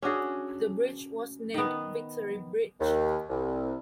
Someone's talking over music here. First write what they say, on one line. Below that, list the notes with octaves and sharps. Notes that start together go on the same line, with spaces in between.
The Bridge was named "Victory Bridge".
C#4 D4 F#4 G#4
D#3 B3
D#2
C2